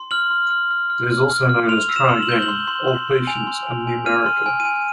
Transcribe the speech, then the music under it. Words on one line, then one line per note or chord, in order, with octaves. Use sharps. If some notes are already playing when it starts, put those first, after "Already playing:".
It is also known as Try Again, Old Patience and Numerica.
Already playing: C6
F6 F#7
C6
F6
F6
F6
F6
F6
F6
C6 F7
E6
E7
C6
F#7
G6 G7
F#7
C6
C6
C6
C6
G#5 F7
C6
G#5
G#5
F6 D#7
C6
G#5
D#7
G#5